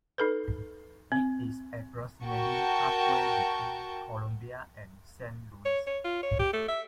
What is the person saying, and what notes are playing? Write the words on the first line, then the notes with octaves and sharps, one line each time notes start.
It is approximately halfway between Columbia and Saint Louis.
D#4 A4 B4
C4
F#4 A#4 G5 A5 C#6
C#5
C#5
F4
C#5
G4
A3
E5